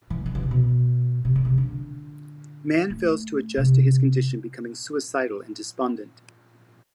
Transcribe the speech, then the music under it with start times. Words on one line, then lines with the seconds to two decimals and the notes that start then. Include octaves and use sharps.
Mann fails to adjust to his condition, becoming suicidal and despondent.
0.10 E3
0.26 D3
0.35 E3
0.43 C3
0.51 B2
1.25 C3
1.36 D3
1.45 C3
1.58 D3
2.90 A3
3.57 C3